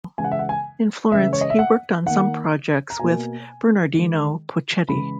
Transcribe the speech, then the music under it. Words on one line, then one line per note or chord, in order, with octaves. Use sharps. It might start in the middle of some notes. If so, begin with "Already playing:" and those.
In Florence, he worked on some projects with Bernardino Poccetti.
C#3 E3 G#3 G#5
F#5
E5
F#5
G#5
C#3 E3 G#3 E5
C#5
D#5
E5
F#5
D#3 A#3 F#5
A#5
B2 A#3 G#5
D#3 G#3
C#3 E3 G#3 B5